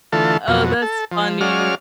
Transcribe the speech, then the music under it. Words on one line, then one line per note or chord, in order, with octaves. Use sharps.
Oh, that's funny.
D3 E3 A3 F4 A4
F2 B2 F#3
A4
F3
F#3 G#3 C#4 D5 F5 F6